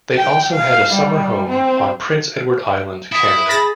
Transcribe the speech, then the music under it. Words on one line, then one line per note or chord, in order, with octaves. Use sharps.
They also had a summer home on Prince Edward Island, Canada.
G5
F5
G3
C4
E4 E5 D#6
G#4 B5 A6 A#6